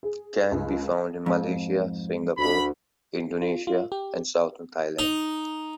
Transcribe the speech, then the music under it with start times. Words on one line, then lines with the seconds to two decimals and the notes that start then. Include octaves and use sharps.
It can be found in Malaysia, Singapore, Indonesia and Southern Thailand.
0.03 G#4
0.52 C#2
1.26 F2 G#2
2.38 D2 B5
3.42 F4
3.67 F4
3.92 G4
4.99 D#4